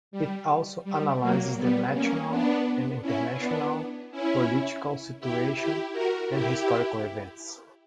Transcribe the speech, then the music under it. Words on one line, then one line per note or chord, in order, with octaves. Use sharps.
It also analyzes the national and international political situation and historical events.
G3
G3
F#3 A#3
G3 B3
A#3 C#4
B3 D4
C#4 E4
B3 D4
C#4 E4
E4 G4
E4 G4
F#4 A#4
E4 G4